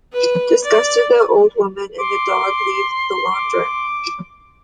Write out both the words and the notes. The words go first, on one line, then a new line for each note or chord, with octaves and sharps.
Disgusted, the old woman and the dog leave the launderette.
B4
D5
C6 D6
D6